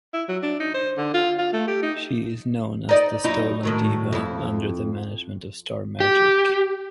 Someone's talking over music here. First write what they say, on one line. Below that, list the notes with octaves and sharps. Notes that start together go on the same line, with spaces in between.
She is known as "The Stolen Diva", under the management of Star Magic.
E4
F#3
D4
D#4
C5
D3
F4
F4
A3
G4
D#4
D#4 D5 D#5
F#2 D#4 E4
A2 D#3 F#3
F2 E4
G4